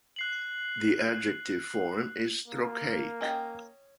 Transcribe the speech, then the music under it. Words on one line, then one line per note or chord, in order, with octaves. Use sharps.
The adjective form is "trochaic".
F#6 C7 F#7
A#3
C#4 D#5 G5